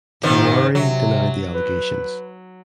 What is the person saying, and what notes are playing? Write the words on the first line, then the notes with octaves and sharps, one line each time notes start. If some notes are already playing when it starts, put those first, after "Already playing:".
Tiwari denied the allegations.
G#2 C3 D#3 B3
C3 F#3
B4